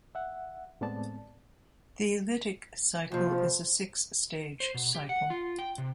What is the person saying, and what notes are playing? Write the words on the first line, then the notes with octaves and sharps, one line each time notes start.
The lytic cycle is a six-stage cycle.
E5 F#5
A2 G#3 B3 C4 D5 A5
D#2 C3 F3
C5
B2
G4
F#5
F4
G5
C3